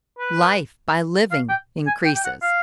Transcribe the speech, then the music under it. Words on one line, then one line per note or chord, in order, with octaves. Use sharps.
Life, by living, increases.
B4
F5
G5
G#5
G5
G5
F#5
F5